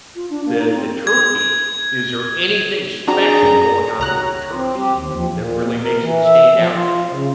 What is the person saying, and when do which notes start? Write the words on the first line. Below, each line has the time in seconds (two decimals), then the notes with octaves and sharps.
the the turkey, is there anything special going on with the turkey that really makes it stand out to you,
0.15 F4
0.30 D4
0.46 A#3
0.59 D#4
0.74 C4
1.07 G#6
3.07 C4 D4 F#4 G#4 A#5
3.42 F#2
3.99 C#2 F#4 G4 C#5 A#5 F#6
4.54 C4
4.78 G4
4.94 D#2
5.14 F3
5.34 A#2
5.82 A#4
6.01 E3
6.23 E5
6.54 F3
6.72 F4
7.11 C#3